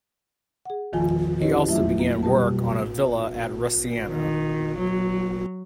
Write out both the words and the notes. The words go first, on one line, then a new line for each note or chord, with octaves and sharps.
He also began work on a villa at Rusciano.
G#4 F#5
E2 D#3 F3 F4 G#5 A5
C#4 E4 G4 B4 C#5 D#5
F2 F#3 A3 E4 F4 E5
A#3
B2 G3 G4 B4 A5
D#3
F#3